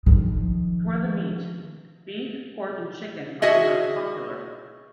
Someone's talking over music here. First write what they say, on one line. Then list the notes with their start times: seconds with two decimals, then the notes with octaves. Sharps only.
For the meat, beef, pork, and chicken are the most popular.
0.06 D#3 F3
3.42 F#4 G#4 D#5 E5